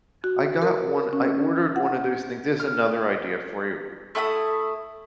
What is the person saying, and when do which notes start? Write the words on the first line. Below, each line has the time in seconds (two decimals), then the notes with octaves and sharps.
I got one I ordered one of those things there's another idea for you.
0.24 F#4
0.62 A#4
1.13 C#4
1.76 F#5
2.60 F6
4.15 A3 E4 G5 D#6